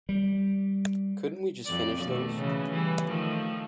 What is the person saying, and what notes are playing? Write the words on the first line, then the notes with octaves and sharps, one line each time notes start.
Couldn't we just finish those?
G3
F2 D5
B2 D#3 A3
C#3 E3
E3 G3
D#3 F3 A3